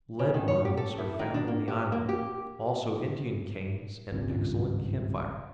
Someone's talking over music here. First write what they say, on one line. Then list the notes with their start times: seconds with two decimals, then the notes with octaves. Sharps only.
Lead mines are found in the island; also Indian canes and excellent camphire.
0.19 C#3
0.34 D#3
0.48 C#5
0.65 G4
0.77 A4
0.98 E4
1.19 D#3
1.34 D4
1.48 A#3
1.68 G4
1.92 A#3
2.09 G4
4.12 G#1 C#2 G2 A#2